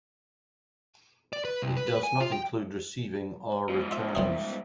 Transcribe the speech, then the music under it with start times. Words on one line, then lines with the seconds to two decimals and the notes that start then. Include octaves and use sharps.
It does not include receiving or returns.
1.33 D5
1.45 B4
1.62 C2
1.77 B4
1.88 B4
2.03 G#5
2.20 F4
2.32 G5
3.69 G#2 F3
3.91 F4 E5
4.15 C2 C3 G3 G#3 G#4 E5